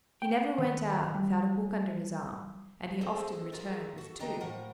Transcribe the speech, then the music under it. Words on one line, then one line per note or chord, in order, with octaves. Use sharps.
He never went out without a book under his arm, and he often returned with two.
G5
D#3
G3
C4 G#4 A4 C5 D#5 E5
F4 F#4 G#4 A#4 E5
F#4 A4
D3 D4 D#4 G4 D#5 A#5
A2 F3 A#4 F#5 G5